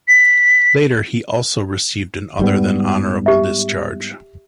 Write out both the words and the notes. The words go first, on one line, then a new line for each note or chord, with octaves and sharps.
Later, he also received an other than honorable discharge.
B6
G#2 G3 B3
G4 E5